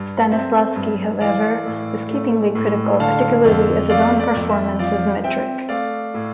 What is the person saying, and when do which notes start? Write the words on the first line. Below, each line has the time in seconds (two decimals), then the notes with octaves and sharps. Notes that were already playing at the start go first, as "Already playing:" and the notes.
Stanislavski, however, was scathingly critical, particularly of his own performance as Mitrich.
Already playing: G2
0.31 C4 E5
0.76 G2
1.20 E3 D5 F5
1.66 A2
2.11 A3
2.55 A2
3.00 D3 F5 A5
3.44 F2
3.89 A3 D5 F5
4.20 D5
4.35 F2
4.49 E5
4.79 F3 D5 F5
5.24 C4 E5 G5
5.69 A3 D5 F5
6.14 A2